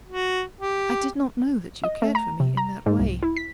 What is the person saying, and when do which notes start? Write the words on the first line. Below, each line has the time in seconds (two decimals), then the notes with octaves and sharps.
I did not know that you cared for me in that way.
0.09 F#4
0.60 G4
1.84 D#5
2.02 A3
2.15 A#5
2.40 C3
2.57 A#5
2.86 G#2
2.99 C2
3.23 E4
3.37 B6